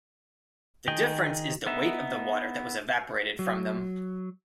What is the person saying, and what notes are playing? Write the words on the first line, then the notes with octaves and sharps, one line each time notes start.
The difference is the weight of the water that was evaporated from them.
D#3 G#4 D#5 G5
B3 D#4 E5
F#3